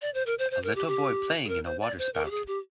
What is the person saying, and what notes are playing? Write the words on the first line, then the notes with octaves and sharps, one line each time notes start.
A little boy playing in a water spout.
D5
C5
A#4
C5
C5
A#4
G4
G4
G#4
A#4
C5
D5
C5
A#4
G4
G#4
G4